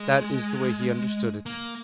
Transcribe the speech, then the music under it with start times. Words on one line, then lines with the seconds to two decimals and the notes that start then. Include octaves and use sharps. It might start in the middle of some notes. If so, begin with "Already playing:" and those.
That is the way he understood it.
Already playing: G#3
1.46 A#3